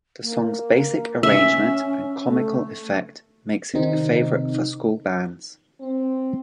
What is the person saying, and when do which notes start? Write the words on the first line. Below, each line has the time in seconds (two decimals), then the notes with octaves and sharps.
The song's basic arrangement and comical effect makes it a favourite for school bands.
0.23 A#3
1.23 C#4 E5
2.27 A3
3.74 C3 D#3 C4 D#4
5.81 C4